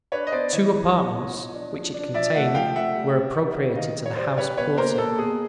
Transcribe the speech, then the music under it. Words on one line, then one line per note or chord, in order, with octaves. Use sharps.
Two apartments, which it contained, were appropriated to the house-porter.
D4 B4 C#5
D#5
B3 C5 D5
E3 C#5 D#5
E3
B3
B3
F3
D4
F3
D4
F3 D5 E5
A3 E5 F#5
F3 F5 G5
A3 E5 F#5
G3
G3
G3
D#3
D#3 D#5 F5
G3
C#5
G3 C5 D5
G3 B4 C#5
B2 B4 C#5
A#3 A#4 C5
A#3 A4
B2 G#4